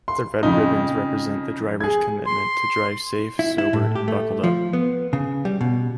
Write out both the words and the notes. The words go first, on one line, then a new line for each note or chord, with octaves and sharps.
The red ribbons represent the drivers' commitment to drive safe, sober and buckled up.
C6
F2 C#3 D#4
G#4 G#6
C6
E4
E4
A2
G4
A3
F3
B3
C#3
G3
B2